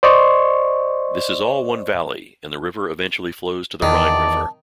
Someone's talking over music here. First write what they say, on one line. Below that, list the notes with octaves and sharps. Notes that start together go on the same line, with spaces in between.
This is all one valley and the river eventually flows to the Rhine river.
C5 D5 D#5 C6 C#6
E2 D#3 D5 A5